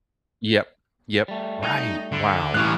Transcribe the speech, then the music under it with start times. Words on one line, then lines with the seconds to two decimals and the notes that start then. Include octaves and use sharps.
Yep, yep. Right. Wow.
1.28 G3 A3
1.63 D#4
2.12 D2 D3
2.54 A2 E3 G3 F5 C#6 D6 F#6